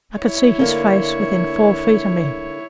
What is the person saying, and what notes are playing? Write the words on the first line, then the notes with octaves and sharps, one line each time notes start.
I could see his face within four feet of me.
E4 C#5
D3 A#3